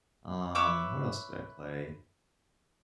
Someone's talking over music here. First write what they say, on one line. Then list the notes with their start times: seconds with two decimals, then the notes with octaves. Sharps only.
um, what else did I play?
0.55 B4 C#5 E5 D6